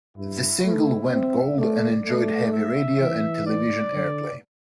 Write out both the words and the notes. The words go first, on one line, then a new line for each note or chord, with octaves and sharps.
The single went Gold and enjoyed heavy radio and television airplay.
G2 E4
A3
C4 E5
A3 D5
A3
E5
E3
D5
D3